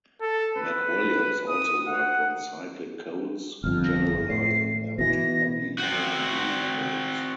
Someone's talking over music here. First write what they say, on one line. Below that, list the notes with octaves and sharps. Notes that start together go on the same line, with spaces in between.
MacWilliams also worked on cyclic codes, generalizing them to abelian group codes.
A4
B4
D#6
F#5
G1 F2 F6
A#6
A2 C7
B2 E3 A#6
C4 F#4